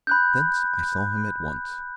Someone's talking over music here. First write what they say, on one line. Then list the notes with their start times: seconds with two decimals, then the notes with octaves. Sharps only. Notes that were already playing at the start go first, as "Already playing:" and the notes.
Thence I saw him at once.
0.07 B5 F#6 G6